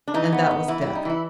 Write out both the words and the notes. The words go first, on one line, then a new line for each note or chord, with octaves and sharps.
And that was death!
D4
E3 D#4
B3
B3
E3 E4
E4
G3
D#4
E3 E4